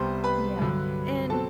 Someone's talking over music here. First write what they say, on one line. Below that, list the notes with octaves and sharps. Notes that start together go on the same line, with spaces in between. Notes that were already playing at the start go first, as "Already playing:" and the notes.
Yeah, and
Already playing: C2 C3 G3 B3 C5 C6
B4 B5
G2 D3 F#3
B2 F#3 C4 A4 A5